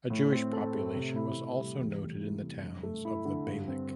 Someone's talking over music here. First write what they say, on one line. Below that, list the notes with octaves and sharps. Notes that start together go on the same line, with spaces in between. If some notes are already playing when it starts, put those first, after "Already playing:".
A Jewish population was also noted in the towns of the Beylik.
A2
C4
A4
A3
C3
E4
C3
G3
E2
A3
E4
C3
G2
A3
E4
D3
G2
C4